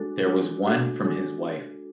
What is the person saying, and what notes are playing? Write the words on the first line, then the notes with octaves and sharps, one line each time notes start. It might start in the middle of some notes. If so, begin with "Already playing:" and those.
There was one from his wife.
Already playing: G#3 D4 F#4 A4
G#3 D4 F#4 A4
G#3 D4 F#4 A4
G#3 D4 F#4 A4